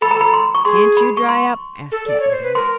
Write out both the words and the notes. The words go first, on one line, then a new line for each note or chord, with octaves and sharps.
"Can't you dry up?" asked Cap'n Bill.
A4 B5
A#5
B5
C6
C#6
G#4 C6
B5
C#6
C6
A4
D5
C#5
C5
B4
A#4 C6